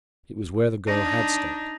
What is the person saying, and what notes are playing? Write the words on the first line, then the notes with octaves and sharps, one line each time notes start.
It was where the girl had stopped.
D4 D#4